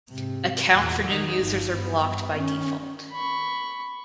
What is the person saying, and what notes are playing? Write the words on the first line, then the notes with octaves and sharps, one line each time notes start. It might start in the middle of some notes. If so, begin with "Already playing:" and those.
Account for new users are blocked by default.
G#2 C3
E2 A#2
D#3 D#4
G1 F3
G2 B3
D#3 C#4
B5 C#6